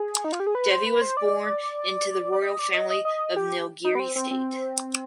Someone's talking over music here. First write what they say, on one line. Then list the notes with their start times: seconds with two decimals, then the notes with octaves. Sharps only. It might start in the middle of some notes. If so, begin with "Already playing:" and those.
Devi was born into the royal family of Nilgiri State.
Already playing: G#4
0.24 D#4
0.32 F4
0.40 G4
0.47 G#4
0.55 B4
0.70 C5
0.86 B4
1.01 C5
1.17 D5
2.32 D5
2.42 D#5
2.59 D5
2.74 D#5
2.90 D#5
3.05 D#5
3.36 G4
3.84 D#4
3.95 B3
3.99 C4
4.16 C4
4.31 C4